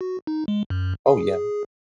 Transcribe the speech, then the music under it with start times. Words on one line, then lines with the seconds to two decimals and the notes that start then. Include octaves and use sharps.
Oh, yeah.
0.01 F#4
0.27 D#4
0.48 G#3
0.70 F#2
1.06 G#4